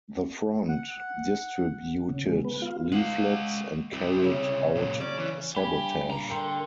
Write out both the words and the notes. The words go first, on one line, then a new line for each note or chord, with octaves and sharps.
The front distributed leaflets and carried out sabotage.
F#5
C#3
G#3
B3
F4
G#3 F5 F#5
C2 C3 B5
C#3
F#2 A#2
C#4 D5
E3
G2 G4 G#5 B5
A#2 A#5
D3 A#4 G5 C6